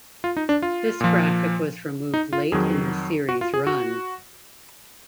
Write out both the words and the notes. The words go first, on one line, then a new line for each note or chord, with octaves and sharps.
This graphic was removed late in the series's run.
F4
D#4
D4
F4
A#2 F3
D#4
F4
F2 D#3 F#3 G#4
F#4
F4
G#4
F#4